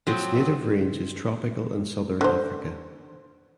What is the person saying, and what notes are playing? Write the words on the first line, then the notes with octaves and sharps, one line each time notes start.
Its native range is Tropical and southern Africa.
F3 F#3 C4
D3 C5